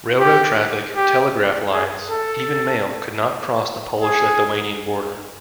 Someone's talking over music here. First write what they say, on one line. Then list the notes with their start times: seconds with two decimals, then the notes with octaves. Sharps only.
Railroad traffic, telegraph lines, even mail could not cross the Polish-Lithuanian border.
0.20 G4
0.96 G4
1.72 G#4
2.10 A4
4.01 G#4